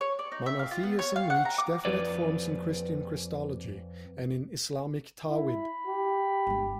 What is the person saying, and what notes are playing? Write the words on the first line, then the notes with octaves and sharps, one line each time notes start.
Monotheism reached definite forms in Christian Christology and in Islamic Tawhid.
C#5
D5
D#4
E5
F5
F4
B3
C#5
F5
F#5
A#5
D6
F2 B4 D5
E4 B5
G4
G1 G#3